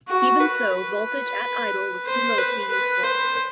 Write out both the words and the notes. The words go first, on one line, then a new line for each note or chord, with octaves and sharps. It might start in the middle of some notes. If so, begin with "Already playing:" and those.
Even so, voltage at idle was too low to be useful.
F#4
B4
B4
C5
B4
B4
C5